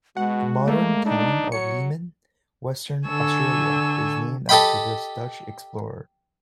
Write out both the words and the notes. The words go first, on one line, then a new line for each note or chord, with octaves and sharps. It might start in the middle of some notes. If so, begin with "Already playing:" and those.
The modern Town of Leeman, Western Australia is named after this Dutch explorer.
B2 G#3 F#4 F#5
A3 A#3
D4 D#4
F#3 C#5 C#7
D3 A4 G#5 C#6 E6
G4 A4 D#5 G5 B5